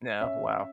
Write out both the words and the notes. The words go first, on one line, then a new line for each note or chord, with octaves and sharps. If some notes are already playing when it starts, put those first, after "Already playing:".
Yeah, wow,
C#4 E5
C#4